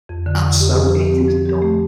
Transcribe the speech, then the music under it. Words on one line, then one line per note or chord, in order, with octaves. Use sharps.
And so it is done.
F2
D3
F2
G4
F3
G4
C4
F3
G4
A3